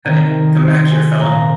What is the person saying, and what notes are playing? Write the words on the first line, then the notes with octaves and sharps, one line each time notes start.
Hey, come back here, fella!
C3 D#3 A#4
C5
G#5
A#2 F3 A#5